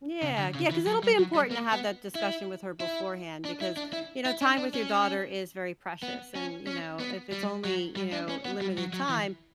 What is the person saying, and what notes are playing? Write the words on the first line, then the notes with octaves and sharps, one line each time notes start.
Yeah, yeah, 'cause it'll be important to have that discussion with her beforehand, because, you know, time with your daughter is very precious and, you know, if it's only, you know, limited time,
C#3
D3
C#3
E3
F#3
G3
F#3
G3
A#3
B3
E4
E4
D4
E4
D4
E4
E4
D4
D4
C#4
B3
C#4
C#4
B3
G3
F#3
G3
D4
C#4
B3
G3
F#3
F#3
E3